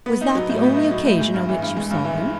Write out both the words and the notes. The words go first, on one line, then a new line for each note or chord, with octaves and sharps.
Was that the only occasion on which you saw him?
B3
D#4
F#3
A2
B3
D#4
F#3
A2
G#3
G2
E3
G2
G#3
G2
E3